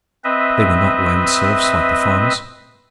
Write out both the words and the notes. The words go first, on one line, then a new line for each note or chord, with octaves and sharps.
They were not land serfs like the farmers.
C4 B4 D#5 E5